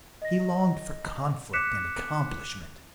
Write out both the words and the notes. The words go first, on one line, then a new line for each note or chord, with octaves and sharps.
He longed for conflict and accomplishment.
D#5 A#6
D6 F#6 B6 C#7 E7